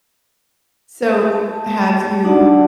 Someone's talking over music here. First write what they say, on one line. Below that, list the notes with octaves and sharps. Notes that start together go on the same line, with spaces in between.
So, have you
A5
D4 D#4 D5 F#5 A5